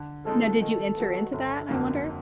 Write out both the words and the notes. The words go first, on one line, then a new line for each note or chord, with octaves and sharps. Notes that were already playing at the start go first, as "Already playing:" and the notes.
Now did you enter into that, I wonder?
Already playing: D3
F3 G#3 C4 D#4 A4
D#3 A4
F#3 B3
G1 A4
F2 D3 F#3 A#3